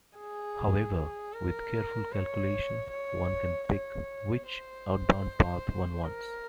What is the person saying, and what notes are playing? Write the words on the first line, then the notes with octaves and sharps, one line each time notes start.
However, with careful calculation, one can pick "which" outbound path one wants.
G#4
A#4
C#5
C#5
C#5
C5
A#4